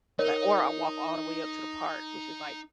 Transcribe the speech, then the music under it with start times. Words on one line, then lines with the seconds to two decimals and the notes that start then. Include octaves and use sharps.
li or I walk all the way up to the park, which is, like,
0.19 D#4 A#4 C#5